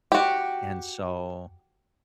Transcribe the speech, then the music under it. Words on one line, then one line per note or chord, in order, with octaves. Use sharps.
And so,
F#4 G4